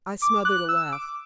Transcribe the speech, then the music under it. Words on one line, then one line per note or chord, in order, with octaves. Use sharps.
I smothered a laugh.
D6
F#6
E6
D6